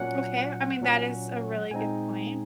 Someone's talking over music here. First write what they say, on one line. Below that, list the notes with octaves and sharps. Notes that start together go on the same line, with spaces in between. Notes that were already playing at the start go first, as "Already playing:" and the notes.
Okay. I mean, that is a really good point.
Already playing: A#2 F#3 C#4 F#5
A#2 F#3 C#4
A#2 G#3 C4 D#4 G#5